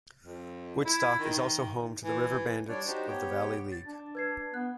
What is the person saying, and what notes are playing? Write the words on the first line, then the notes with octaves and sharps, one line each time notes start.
Woodstock is also home to the River Bandits of the Valley League.
F2
E4
D#3
E3
G3 D4 C#5 D5
D4 D#4 F#4 G4 C5
B3 G4 C#5 G5
A6
D4
B4 G#6 C7
B3 F#6